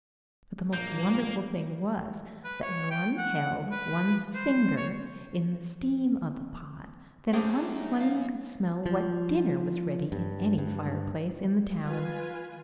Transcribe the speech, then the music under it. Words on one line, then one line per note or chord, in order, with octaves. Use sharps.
But the most wonderful thing was, that when one held one's finger in the steam of the pot, then at once one could smell what dinner was ready in any fire-place in the town.
A#1 A#3 G6
B4
C#5
G5
F#5
B4
C5
C#5
F#2 G4 G#4 C5 G5
D#4
F5
F3
G2
G2
F4 B4 G#5